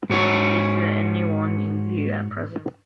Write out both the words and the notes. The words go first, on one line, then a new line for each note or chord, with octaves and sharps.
Is there any one in view at present?
G#2 F#4 C#5